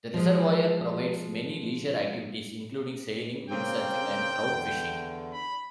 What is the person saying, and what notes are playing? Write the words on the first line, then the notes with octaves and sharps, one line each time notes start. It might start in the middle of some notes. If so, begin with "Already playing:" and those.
The reservoir provides many leisure activities including sailing, windsurfing and trout-fishing.
F3 G#3
C#3 A#3 C4 G5
E2 D3
B5